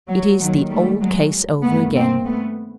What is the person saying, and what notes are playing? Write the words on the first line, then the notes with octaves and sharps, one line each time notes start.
It is the old case over again.
F#3
D#2 D#3 F#3 G#3
G3 A3
F#3 G#3
G2 D#3 A3 B3
A#3 C4
A3 B3